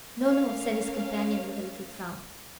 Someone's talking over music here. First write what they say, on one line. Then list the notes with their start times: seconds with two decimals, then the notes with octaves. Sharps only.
"No, no," said his companion, with a little frown.
0.21 A3 C#4 A#4 F5